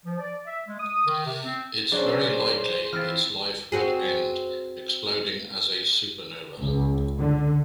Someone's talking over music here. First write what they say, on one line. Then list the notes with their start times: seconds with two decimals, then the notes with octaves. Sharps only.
It’s very likely its life would end exploding as a supernova.
0.06 F3
0.19 D5
0.47 E5
0.67 G#3
0.79 D#6
1.06 D#3
1.25 C3
1.45 C4
1.92 F#3 C#4 D4 G#4 C5
2.93 E3 C4 F4 F6
3.72 C4 F#4 G#4
6.60 C#2
7.19 D3